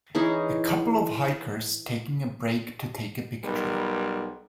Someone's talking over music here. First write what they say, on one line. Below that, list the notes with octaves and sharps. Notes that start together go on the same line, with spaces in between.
A couple of hikers taking a break to take a picture.
E3 C#4 D#4 G#4
B1 G3 A#4